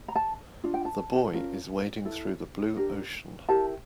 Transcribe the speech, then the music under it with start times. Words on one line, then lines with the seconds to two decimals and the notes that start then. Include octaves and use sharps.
The boy is wading through the blue ocean.
0.08 A#5
0.16 A5
0.64 D4 F4
0.74 G5
0.85 A5
1.34 C#4 F4 A#4
2.05 E4 A4
2.77 D4 G4 A#4
3.48 E4 G4 A#4 A5